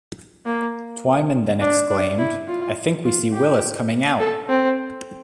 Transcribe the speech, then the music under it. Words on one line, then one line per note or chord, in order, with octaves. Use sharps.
Twyman then exclaimed: I think we see Willis coming out!
A#3
D4
D4
E4
F4
F4
G4
A4
C4